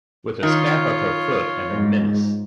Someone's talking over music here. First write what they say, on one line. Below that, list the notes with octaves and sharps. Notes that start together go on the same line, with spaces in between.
With a stamp of her foot and a menace.
D#3 F4 C#5
G#2